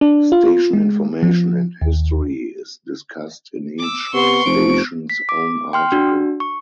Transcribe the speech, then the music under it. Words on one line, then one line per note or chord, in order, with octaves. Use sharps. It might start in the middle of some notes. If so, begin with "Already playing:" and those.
Station information and history is discussed in each station's own article.
D4
F4
G#3
F3
D#2
D6 E6
C3 B3 C6 C#6
F1 F3 D7
B6
D6
G5 C6 F6
D4 F#4
C#6